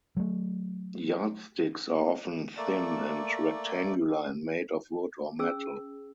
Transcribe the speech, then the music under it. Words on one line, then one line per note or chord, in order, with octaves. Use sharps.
Yardsticks are often thin and rectangular, and made of wood or metal.
F#3 A3
A3 A#3 D5
C#4 G#4 E6